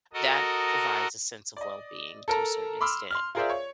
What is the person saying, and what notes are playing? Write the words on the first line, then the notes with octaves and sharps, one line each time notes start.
that provides a sense of well-being to a certain extent.
F#4 A4 A#4 D#5
D5 D#5
A4 A#4 A5 A#5
B5 C6 D6 E6 F6
C6 F6
F4 G#4 A#4 C5 D5 E5
C#5